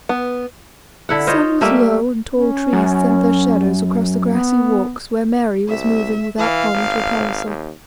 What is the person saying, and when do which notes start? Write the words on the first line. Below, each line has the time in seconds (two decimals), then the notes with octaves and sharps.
The sun was low, and tall trees sent their shadows across the grassy walks where Mary was moving without bonnet or parasol.
0.09 B3
1.09 D3 E4 F#5
1.27 F4 C5 C#5 D#5
1.61 G3 A3 A#3 E5
2.32 C#4
2.73 F#2
4.27 B3
5.69 C2 E5
6.38 E3 F5
6.74 G#1
7.46 D#2